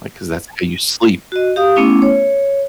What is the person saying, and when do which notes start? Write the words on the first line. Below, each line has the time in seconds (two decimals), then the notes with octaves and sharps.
Like, 'cause that's how you sleep.
1.32 F#4 D#5
1.56 G4 F5 D#6
1.76 A3 B3 C#4 E4 D6
2.02 C#5